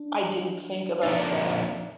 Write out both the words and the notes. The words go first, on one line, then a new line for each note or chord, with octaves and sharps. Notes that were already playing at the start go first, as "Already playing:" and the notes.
I didn't think about that.
Already playing: D4
F2 D#3 A#3 D4 D#4 F4